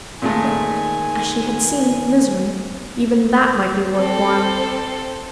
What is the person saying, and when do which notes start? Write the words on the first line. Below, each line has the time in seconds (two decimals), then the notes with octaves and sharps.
Yet, as she had seen misery, even that might be worth while.
0.22 A#2 D#3 G#3 A3 G#5
3.97 C4 A4